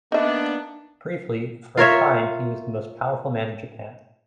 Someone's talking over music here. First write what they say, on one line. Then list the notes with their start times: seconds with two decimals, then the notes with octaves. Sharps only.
Briefly, for a time he was the most powerful man in Japan.
0.12 A#3 B3 D4 D#4 E5
1.77 F4 A#4 C#5 E5